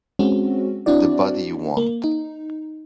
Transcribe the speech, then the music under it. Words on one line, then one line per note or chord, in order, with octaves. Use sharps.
The Body You Want.
G#3 C4 C#4 F#4
C4 D4 E4 F#4 D5
A#3
D#4